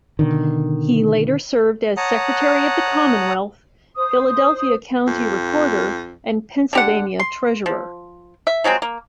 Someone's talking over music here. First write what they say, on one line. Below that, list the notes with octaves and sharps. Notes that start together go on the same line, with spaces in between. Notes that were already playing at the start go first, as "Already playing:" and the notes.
He later served as Secretary of the Commonwealth, Philadelphia County Recorder, and Pennsylvania Treasurer.
B2 D3 D#3
C#5 F#5 A5 A#5 D#6 F#6
C5 D#6
F2
D3 G4 F#5
C6
F3
E5
F3 F#3 G#3 C4
A#3